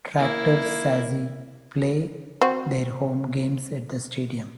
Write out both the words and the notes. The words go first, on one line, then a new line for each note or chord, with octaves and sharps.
Tractor Sazi play their home games at the stadium.
A#3 E4
C4 F#4